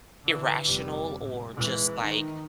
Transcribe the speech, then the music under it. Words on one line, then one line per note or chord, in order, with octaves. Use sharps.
irrational or just like
D3 E3
F1 G3
A2
E3 G#3
D#3 D#4